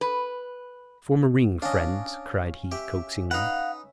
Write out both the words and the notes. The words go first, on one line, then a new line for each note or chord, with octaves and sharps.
"Form a ring, friends," cried he, coaxingly.
B4
C#4 D4 D#5 F5
G4 E5
D#4 B4 F5 F#5